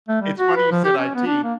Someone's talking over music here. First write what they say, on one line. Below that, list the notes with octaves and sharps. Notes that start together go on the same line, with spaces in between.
It's funny you said IT.
A3
G3
F#4
B4
F3
G4
C#4
B3
D4
A#3